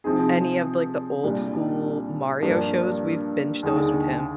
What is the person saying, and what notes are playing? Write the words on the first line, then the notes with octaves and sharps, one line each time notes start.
any of, like, the old school Mario shows, we've binged those with him.
C3 F3 C4 D#4 G#4
C2 A#2 G3 D4
G2 F3 A#3 D4 G4
D#2 D3 G#3 D#4 G#4